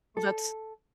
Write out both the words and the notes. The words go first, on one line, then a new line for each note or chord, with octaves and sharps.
Well that's
A4